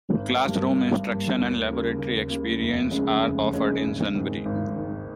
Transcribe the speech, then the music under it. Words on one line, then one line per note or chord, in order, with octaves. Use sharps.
Classroom instruction and laboratory experience are offered in Sunbury.
G#1
G2 G3 A#3
G#1
G2 G3 A#3
D#2
C#3 G3 A#3
D#2
C#3 G3 A#3
F1
D#2 C#3 G#3 C#4
F1
D#2 C#3 G#3 C#4
G#1
G#2 D#3
G#1
G#2 D#3